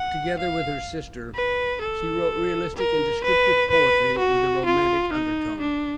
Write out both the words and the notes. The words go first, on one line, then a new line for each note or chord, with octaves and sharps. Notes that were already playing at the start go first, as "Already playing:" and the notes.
Together with her sister, she wrote realistic and descriptive poetry with a romantic undertone.
Already playing: F#5
F5
B4
A4
A#4
B4
B4
F#4
F4
D#4
D4